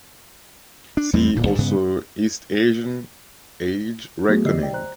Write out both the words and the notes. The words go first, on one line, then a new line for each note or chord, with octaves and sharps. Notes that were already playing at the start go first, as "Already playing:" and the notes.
See also East Asian age reckoning.
D4
E2 G3 G#3 C4
D1 D2 A#2
G1
G2 C#3 B3
F#3 A3 B3 F#4 G#4
D3 G4 D5 D#5 E6 C7
D5 D#5 G5
C5 A#5 F#6